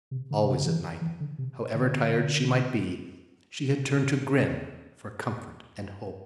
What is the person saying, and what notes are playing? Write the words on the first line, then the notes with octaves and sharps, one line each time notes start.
Always at night, however tired she might be, she had turned to Grimm for comfort and hope.
C3
D3
C3
D3
E3
E3
D3
C3
D3